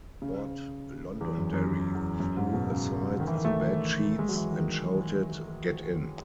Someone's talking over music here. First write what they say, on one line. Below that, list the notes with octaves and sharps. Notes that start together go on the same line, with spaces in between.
Lord Londonderry threw aside the bed-sheets and shouted, Get in.
C#3
E2
F#2
F#2
E2
F#2
G#2
B2
C#3
D#3
E3
D#3
A3
G#3
F#3
E3
D#3